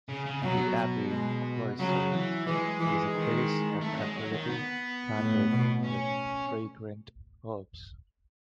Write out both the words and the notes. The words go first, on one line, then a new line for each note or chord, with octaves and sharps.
The abbey cloister is a place of tranquillity, planted with fragrant herbs.
C#3
C#3
B2 F#3
G#3
C#3 F#3
E3
E3 G#3
E3
D#3
A3
F#3
G#3
F#3
D#3
B3
A2
B2
C#4